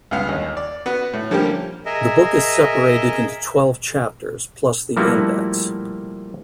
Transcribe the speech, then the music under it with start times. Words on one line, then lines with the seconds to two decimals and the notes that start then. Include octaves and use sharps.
The book is separated into twelve chapters, plus the index.
0.11 C#2 G2 B3 F5
0.28 D#2 D#4
0.57 D5
0.86 B3 F#4 B4
1.13 A2
1.30 D3 F3 G3 A#3 C#4 G4
1.86 G#4 A#4 D#5 E5
4.97 F3 G3 A3 A#3 E4 F#4